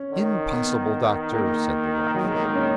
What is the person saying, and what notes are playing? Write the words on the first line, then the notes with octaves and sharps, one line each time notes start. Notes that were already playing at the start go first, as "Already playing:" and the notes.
"Impossible, doctor," said the wife.
Already playing: C#4
D#3
B3
D#3 A#3
D#3 F#3
G#3
A#3
A#3
C#4